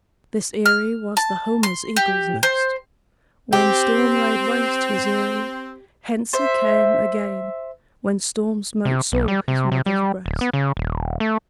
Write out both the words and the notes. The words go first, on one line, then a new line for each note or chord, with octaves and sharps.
This eyrie was the homeless eagle's nest When storm laid waste his eyrie: hence he came Again, when storm smote sore his mother's breast.
F6
A5
C6
G4
C5
C4 G4
C5 E5
C3
B1
G3
C3
C3
G3
D1
B3
C#3
D#1
A3